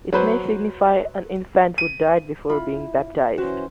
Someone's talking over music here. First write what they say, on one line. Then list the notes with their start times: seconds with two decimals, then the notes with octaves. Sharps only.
It may signify an infant who died before being baptized.
0.13 F#3 B4 C5
1.78 D#7
2.49 E4 F4 B5
3.38 E3 C#4 F#4 C5